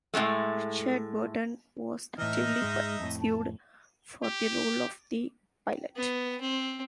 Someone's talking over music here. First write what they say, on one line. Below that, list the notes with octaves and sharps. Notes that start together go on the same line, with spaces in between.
Richard Burton was actively pursued for the role of The Pilot.
A2 D3 G#3 A3
A2 E3 D#4 D#5 E5 F6
G#2 G#3
F2 A2
A5
G4
B3
C4